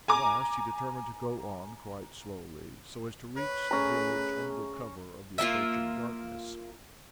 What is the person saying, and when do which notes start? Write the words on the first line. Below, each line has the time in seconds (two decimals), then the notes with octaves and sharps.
At last he determined to go on quite slowly so as to reach the village under cover of the approaching darkness.
0.08 G#5 A#5 D6
3.37 B4 C#5
3.71 A3 C#4 G#4 A#5
5.38 A#3 F4 A#4 E5